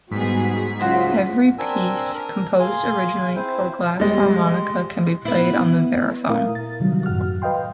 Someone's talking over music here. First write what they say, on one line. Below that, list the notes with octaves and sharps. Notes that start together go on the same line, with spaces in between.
Every piece composed originally for glass harmonica can be played on the verrophone.
G#2 G3 B3 F#4 G#4 B6
C#2 C#3 F#3 F4 F#4 C5 G#5
C4 D4 A#4 G#5 E6
A#4 F6
G#4 F5 G#5 C6
C4 E4 C5
G3 G#3
B3 E4
A#2 A3 E4 A#4 F5 D#6
A6
C3 D#3 F#3 G3
F#2 A2 F#4 F#5 F6
B4 D#5 F5 G5 C6